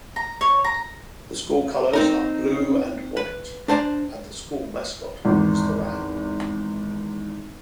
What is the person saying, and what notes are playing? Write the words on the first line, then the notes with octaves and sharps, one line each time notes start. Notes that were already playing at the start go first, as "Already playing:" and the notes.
The school colors are blue and white and the school mascot is the ram.
A#5
C#5
A#5
C4 D#4 A#4
B4
D4 C5 D5 A5 A#5
G#1 E2